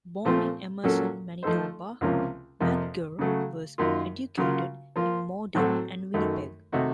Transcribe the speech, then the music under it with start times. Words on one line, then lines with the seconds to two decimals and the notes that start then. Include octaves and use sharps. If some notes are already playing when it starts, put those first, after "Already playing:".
Born in Emerson, Manitoba, McGirr was educated in Morden and Winnipeg.
0.25 A#2 F3 A3 C4 F4
0.83 A#2 F#3 A#3 C#4 A4
1.43 F3 A3 D#4 A4 C5
2.01 C#2 C3 F3 A#3 C#4
2.60 F2 C3 F3 A#3
3.19 C#3 F#3 A3
3.78 F#2 D#3 A#3 F4
4.37 C#3 F#3 A#3 F4
4.96 F3 A#3 F4
5.55 A2 F#3 C4 F#4 A4
6.14 F#2 D#3 A3
6.72 C3 D#3 A3 D#4 F#4